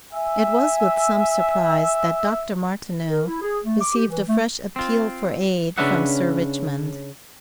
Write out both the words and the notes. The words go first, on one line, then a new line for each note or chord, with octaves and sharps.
It was with some surprise that Dr. Martineau received a fresh appeal for aid from Sir Richmond.
E5 G#5
A#4
E4
G#4
A3
D6
G4
E3
A3
C4 F4
C#3 C#4 D4 B4 E5 F#5